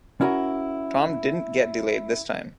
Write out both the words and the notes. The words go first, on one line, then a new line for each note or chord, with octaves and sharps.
Tom didn't get delayed this time.
C#4 E4 F#4 A#4